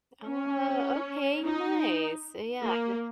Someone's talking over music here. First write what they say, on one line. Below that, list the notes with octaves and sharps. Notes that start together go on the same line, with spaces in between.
Oh, okay. Nice. Yeah, d
C#4
D#4
A#3